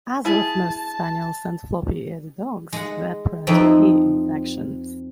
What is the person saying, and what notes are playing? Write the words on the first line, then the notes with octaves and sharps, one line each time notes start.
As with most spaniels and floppy eared dogs, they are prone to ear infections.
E4 G#4 A5
G#3 F#5
F2 C4 D#4 E4